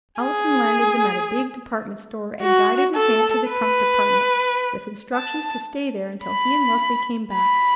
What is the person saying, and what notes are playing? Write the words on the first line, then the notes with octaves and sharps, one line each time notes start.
Allison landed them at a big department store, and guided his aunt to the trunk department with instructions to stay there until he and Leslie came back.
G#4
F#4
A4
B4
A5
B5
B5